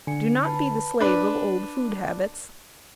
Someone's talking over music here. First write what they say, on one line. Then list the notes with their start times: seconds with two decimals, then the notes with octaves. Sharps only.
Do not be the slave of old food habits.
0.07 D3 G#5 C#7
0.44 B4 A5 B5
1.00 D4 B4